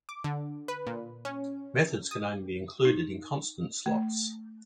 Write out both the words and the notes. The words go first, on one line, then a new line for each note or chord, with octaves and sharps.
Methods can only be included in constant slots.
D6
D3
B4
A#2
C#4
D#6
D#4
A3